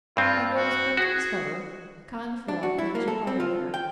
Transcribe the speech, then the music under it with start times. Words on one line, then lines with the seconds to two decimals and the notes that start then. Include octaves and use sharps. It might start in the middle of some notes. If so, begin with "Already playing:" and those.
A girl is quick to discover the kind of love that is required of her.
0.17 G2 C4 F4
0.56 F#4
0.97 F#4 G#4
2.48 D4
2.63 F#4
2.78 E4
2.95 A#3
3.08 A4
3.27 C4
3.40 F4
3.74 G5